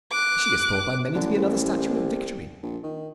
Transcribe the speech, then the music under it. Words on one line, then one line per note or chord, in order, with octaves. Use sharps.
She is thought by many to be another statue of Victory.
D6 F#6
A1 D3
C2
A#1
D#3